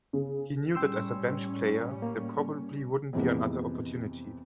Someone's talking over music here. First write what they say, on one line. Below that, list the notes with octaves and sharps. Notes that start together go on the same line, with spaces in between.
He knew that as a bench player, there probably wouldn't be another opportunity.
C#3
A2 G3 C#4 G5 C6 E6
A#3
F2 C3 E3 G#3 A#3 B3